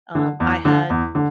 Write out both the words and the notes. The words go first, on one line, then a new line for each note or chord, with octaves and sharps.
um, I had
D3
E2
D3
E2
D3